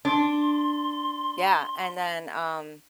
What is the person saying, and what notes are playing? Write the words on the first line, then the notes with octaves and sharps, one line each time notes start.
Yeah, and then, um
D4 C6